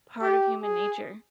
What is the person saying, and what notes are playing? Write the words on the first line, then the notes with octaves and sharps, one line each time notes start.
part of human nature,
G4
G#4